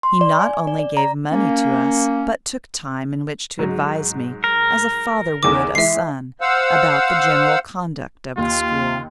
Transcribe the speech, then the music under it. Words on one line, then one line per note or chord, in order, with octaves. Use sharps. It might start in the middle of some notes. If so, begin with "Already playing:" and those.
He not only gave money to us, but took time in which to advise me, as a father would a son, about the general conduct of the school.
C6
D5
G#5
D5
D5
A#5
A#3 C#4
G#2 F#3
A#4
E2 D#3 D6
E3 G#3 E5 C7
C5 F5 F#5 E6
D#2 F4